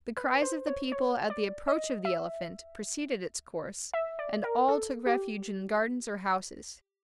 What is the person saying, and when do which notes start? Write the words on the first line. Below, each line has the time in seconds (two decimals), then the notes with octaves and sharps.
The cries of the people at the approach of the elephant preceded its course, and all took refuge in gardens or houses.
0.17 B4
0.42 C5
0.67 C#5
0.92 C#5
1.30 D5
1.68 D#5
2.05 E5
3.94 E5
4.19 D5
4.44 A#4
4.68 A4
5.06 G4